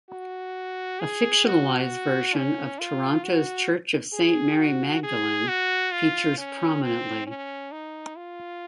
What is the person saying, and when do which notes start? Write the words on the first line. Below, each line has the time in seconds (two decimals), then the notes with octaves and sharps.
A fictionalised version of Toronto's Church of Saint Mary Magdalene features prominently.
0.10 F#4
1.00 G#4
1.45 F#4
2.35 C#4
2.79 F4
3.24 F#4
4.13 G#4
4.58 F#4
5.03 G#4
5.48 F#4
5.93 F4
6.38 C#4
6.82 C4
7.27 C#4
7.72 D#4
8.16 F4